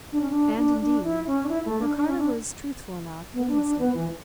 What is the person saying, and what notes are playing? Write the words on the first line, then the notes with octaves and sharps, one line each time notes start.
And, indeed, Ricardo was truthful enough in his statement.
D4
C#4
D4
E4
D4
D4
E4
C#4
D4
E4
A3
D4
D4
C#4
D4
B3
D4
D4
B3
E3